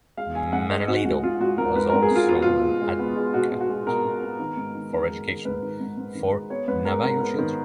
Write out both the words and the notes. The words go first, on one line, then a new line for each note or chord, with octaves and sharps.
Manuelito was also an advocate for education for Navajo children.
G#3 F5
G#3 G#5
G#2 F#5
G#3 D#5
G#2 F#4
G#2 F#4
G#2 F4
G#2 F#4
G#2 A#4
G#2 B4
G#2 A#4
G#4
G#2 F4
B3 F4
F#4
B2 F4
G#3
G#3
B3
G#3
B2 F#4
B2
F#4
G#3
B2 A#4
B2
B3
D#3
G#2
D#3
D#3
G#3
D#3
G#2 B4
D#3
G#2
G#2
D#3
G#3
B3 C#5
G#2 B4
G#3 A#4
G#2 A#4
B3
D#3